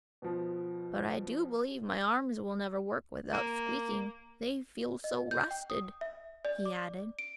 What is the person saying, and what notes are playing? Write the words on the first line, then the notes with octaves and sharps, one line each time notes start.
"But I do believe my arms will never work without squeaking, they feel so rusted," he added.
B2 F3
A#3
D#5
G6
G5
D#6
E5
D5
D6
D7